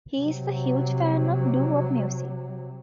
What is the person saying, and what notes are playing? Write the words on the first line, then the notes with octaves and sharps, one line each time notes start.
He is a huge fan of Doo-wop music.
C3 F#3